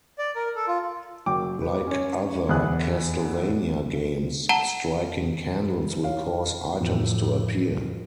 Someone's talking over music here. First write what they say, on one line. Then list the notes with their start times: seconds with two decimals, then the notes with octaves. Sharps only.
Like other "Castlevania" games, striking candles will cause items to appear.
0.18 D5
0.36 A#4
0.56 A4
0.67 F4
1.26 F#1 F#3 G5 D6
1.62 B4
1.87 C#4 C#5
2.49 E2 E4 D#6 F#6
4.49 F#5 A5 A#5 D#7 G7
6.03 E4 C#5 F5
6.80 F2 A2